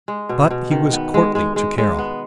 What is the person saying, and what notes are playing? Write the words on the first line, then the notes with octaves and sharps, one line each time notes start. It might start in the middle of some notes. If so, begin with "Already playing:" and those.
But he was courtly to Carol.
G#3
B2
B2
D#3
B3
G#3
G#3
G#3
G#3
B3